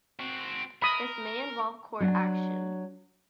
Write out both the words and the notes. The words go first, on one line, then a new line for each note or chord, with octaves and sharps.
This may involve court action.
C4 F#4
A#4 B5 D#6
F#3 D4